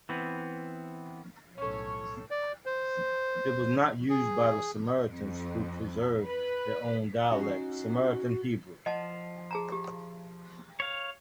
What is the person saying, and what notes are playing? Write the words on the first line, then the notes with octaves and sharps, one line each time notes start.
It was not used by the Samaritans, who preserved their own dialect, Samaritan Hebrew.
E3 B3 C4
B1 A2 C#4 A4 C#5
D5
C5
G#4
F2
B4
C#4 D#4 F#4 F#5
F3 D#5 F#5 A5
G#4 A5 A#5
G4
C#5 F5